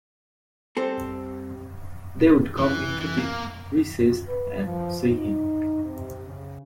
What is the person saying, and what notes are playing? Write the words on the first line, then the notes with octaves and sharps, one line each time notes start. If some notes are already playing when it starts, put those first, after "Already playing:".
They would come into the recess and see him.
G3 C4 A4
E3
E3
A#3
B4
F3
D#4
C3
C#3